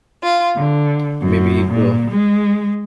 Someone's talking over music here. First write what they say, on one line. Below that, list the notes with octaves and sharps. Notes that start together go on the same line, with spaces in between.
Maybe it will.
F4
D3
F#2
A#2
G#3